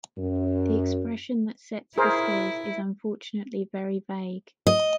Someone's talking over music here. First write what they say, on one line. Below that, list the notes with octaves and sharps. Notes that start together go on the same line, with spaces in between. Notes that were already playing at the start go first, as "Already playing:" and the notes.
The expression that sets the skills is unfortunately very vague.
F#2
E4 G#4 A#4 C5
D#5